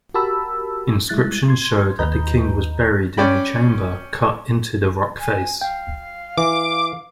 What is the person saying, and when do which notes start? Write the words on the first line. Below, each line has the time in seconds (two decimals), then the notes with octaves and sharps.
Inscriptions show that the king was buried in a chamber cut into the rock-face.
0.14 F#4 G4 A#4 A5 B5 E6
1.09 G3 G#3 E4 F#6 A6
1.48 C6 G#6
1.99 D#2 B4 D#5 A#5 G6
3.17 C#4 D5 G5 B5
5.20 G#5
5.61 F5 G5
6.37 E3 D6